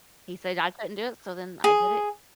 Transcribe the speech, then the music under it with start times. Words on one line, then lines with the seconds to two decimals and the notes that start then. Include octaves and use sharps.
He said I couldn't do it, so then I did it.
1.64 G#4